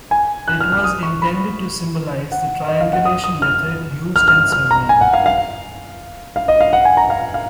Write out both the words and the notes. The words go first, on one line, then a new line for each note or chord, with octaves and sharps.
It was intended to symbolize the triangulation method used in surveying.
G#5
F#6
F6
F6
D#6
C#6
B5
F#5
D#5
F5
F#5
D#6
D#6
F6
F6
F6
F6
A#5
G#5
F#5
F5
F5
F5
D#5
F5
F#5
G#5
A#5
F5
F5